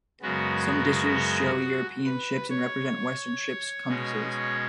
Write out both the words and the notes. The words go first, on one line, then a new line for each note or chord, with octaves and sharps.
Some dishes show European ships, and represent Western ship's compasses.
F#2 C#3 G#3 B3 F#4
B4
C#5
B2 G#3 C#4